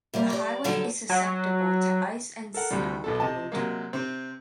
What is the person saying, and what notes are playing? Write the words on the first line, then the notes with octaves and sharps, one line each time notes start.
The highway is susceptible to ice and snow in winter.
C3 G3 A#3
G4 D5
D3 F#3 G3 D4 G4 A4
F#3
A4 A#4 F#5
D2 C3 G3
B1 B2 A4
C3 D#5 A5
C3 F#3 G#3 A#3
C3 C4